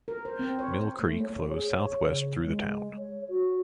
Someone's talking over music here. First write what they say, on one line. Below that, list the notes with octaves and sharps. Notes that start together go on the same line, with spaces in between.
Mill Creek flows southwest through the town.
A#4
C5
C4
C#5
A3
C#5
G#4
C#5
C#3
G#3
C#5
F#4